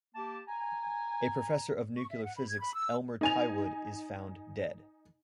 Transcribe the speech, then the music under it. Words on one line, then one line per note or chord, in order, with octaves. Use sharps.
A Professor of Nuclear Physics, Elmer Tywood, is found dead.
A#3 G4 A5
G#5 A#5
C#6
E5
F#5
B5
G#6
B5
E6
D#4 G#5 F7